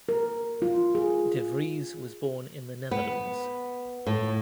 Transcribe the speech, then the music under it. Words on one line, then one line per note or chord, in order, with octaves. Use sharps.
De Vries was born in The Netherlands.
A#4
F4
G#4
B3
A2